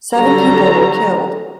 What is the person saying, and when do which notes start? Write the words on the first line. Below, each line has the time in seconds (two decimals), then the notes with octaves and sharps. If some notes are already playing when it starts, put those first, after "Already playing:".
Seven people were killed.
0.15 D3 F#3 G3 F#4 A4 A#5